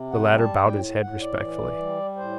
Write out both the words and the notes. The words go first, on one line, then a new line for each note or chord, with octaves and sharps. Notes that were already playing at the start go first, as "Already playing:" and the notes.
The latter bowed his head respectfully.
Already playing: C3
F#5
G3
A5
A2 G5
A2 F#5
D5
E3
G3
A2 C5